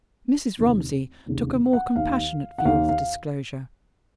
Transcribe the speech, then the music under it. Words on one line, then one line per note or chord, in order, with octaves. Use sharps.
Mrs. Romsey took a more compassionate view of the disclosure.
F1 D#2 C#3
F1 D#2 C#3
F#5
D#2 D#3 F5
F#5
D#2 D#3 F5
F5